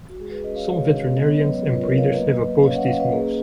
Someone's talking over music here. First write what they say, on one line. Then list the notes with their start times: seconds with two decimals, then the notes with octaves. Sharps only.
Some veterinarians and breeders have opposed these moves.
0.10 F#4
0.19 G#3 G#4
0.31 G#4 B4
0.43 C#4 B4 D#5
0.56 C#5 F5
0.68 G#3 C#5 F5
0.93 C#4
1.16 B3 D#5
1.27 C#5
1.36 B4 D#5
1.41 F#3
1.66 F4
1.73 B4
1.82 A#4 C#5
1.91 F#3
1.98 C#5 F5
2.14 A#3 B4 D#5
2.39 A#3
2.63 C#4 C#5 F5
2.76 D#5 F#5
2.87 C#4 C#5 F5
3.00 B4 D#5
3.12 A#3 G#4 B4